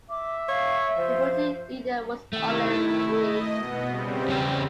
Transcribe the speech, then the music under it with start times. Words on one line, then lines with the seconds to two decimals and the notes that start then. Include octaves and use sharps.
Deputy leader was Ole Wiig.
0.10 E5 D6
0.49 C#5 F5
0.97 F3 C5
2.33 C3 D#3 A3 E4
2.68 E4
3.06 D#5
3.54 B2 B3
3.87 C#3 G3 C4
4.28 E2 C#4 G5